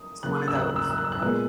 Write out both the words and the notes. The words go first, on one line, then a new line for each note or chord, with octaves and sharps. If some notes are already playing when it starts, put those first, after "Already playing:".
one of those.
Already playing: D#6
C#3 F#3 A#3 F#6
E6
F#6
E6
F#6
E6
F#6
E6
F#6
E6
F#6
A#2 G#3 B3 E6